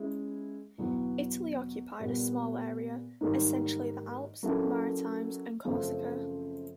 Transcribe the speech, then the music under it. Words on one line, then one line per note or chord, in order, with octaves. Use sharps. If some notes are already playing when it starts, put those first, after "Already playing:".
Italy occupied a small area, essentially the Alpes-Maritimes, and Corsica.
Already playing: G#3 C#4 E4
E2 B2 F#3 B3
A#2 G3 B3
G#2 D#3 G3 A#3
F#3 A#3 C#4 E4 A4
F#2 C#3 F3 A3 C4